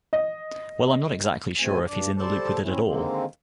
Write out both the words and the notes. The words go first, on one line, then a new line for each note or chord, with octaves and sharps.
Well I’m not exactly sure if he’s in the loop with it all.
D#5
G#2 B2 A3 C4 G#5
G2 D4 D5
G3 A4 C5 D5 A5
C4 C#4 E4
D3 D#3 G#3 A#3 C4